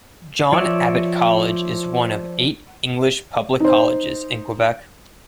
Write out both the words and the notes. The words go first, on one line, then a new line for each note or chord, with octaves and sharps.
John Abbott College is one of eight English public colleges in Quebec.
F3 C#5 D5 E5
D#4 C5